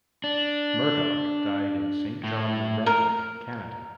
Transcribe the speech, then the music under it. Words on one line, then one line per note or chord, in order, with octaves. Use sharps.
Murdoch died in Saint John, New Brunswick, Canada.
D4
A2
A#4